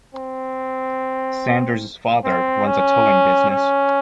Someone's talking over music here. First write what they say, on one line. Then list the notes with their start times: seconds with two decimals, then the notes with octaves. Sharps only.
Sanders' father runs a towing business.
0.15 C4
2.24 C4
2.66 C#4
3.50 C#4